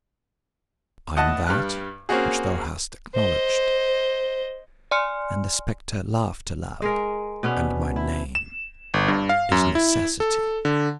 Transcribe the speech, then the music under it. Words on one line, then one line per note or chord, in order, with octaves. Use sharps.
'I am That which thou hast acknowledged'; and the spectre laughed aloud--'and my name is NECESSITY.'
A2 D#5 F#5 A5
G2 G3 F6 F#6
A#3 C4 C#4 F#4 G#4
C5 D#5
D5 G#5 C6 F6 C#7
G#3 G#4 A#4
B2 B3 C#4 D4
E4
E7
G1
G2
F5
F#2
E4
A4
D3